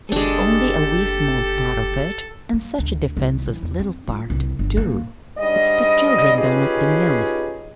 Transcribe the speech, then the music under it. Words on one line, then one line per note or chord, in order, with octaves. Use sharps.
"It's only a wee small part of it--and such a defenseless little part, too. It's the children down at the mills."
F#1 G#3 D4 G4 A4
A#3
D2
C2
E3
E2
C4
F4
C2
G1
A#3
G#2 G3 D4 D#5
C#4 D#4 F4 G4 G#4 B4